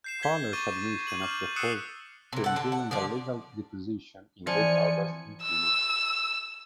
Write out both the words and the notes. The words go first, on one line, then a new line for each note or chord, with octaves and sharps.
Fowler's admission of default came during a legal deposition in late August in Phoenix.
G6 C7 E7
G#6 B6 G7
C#6 D6 A6 D#7 G7
G6 D#7 F#7
D6 F6 F#7
D#6 E6 F#6 C7 C#7 E7
C3 E3
A4 F#5
D3 A4
F#5
D3 F3 D5
E3 F3 C4 D5 G#5 C#7
E6